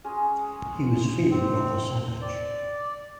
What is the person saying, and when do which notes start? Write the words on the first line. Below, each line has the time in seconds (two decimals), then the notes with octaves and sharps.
He was feeling rather savage.
0.04 G#3 C#4 G#4
1.31 C4
2.21 D5